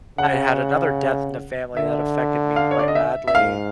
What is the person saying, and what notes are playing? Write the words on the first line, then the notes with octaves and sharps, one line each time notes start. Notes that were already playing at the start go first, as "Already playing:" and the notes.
I had another death in the family that affected me quite badly,
C#3 F#5
D3 E5
F5
C#5
D5
D#5
E5
E5
G#2 F5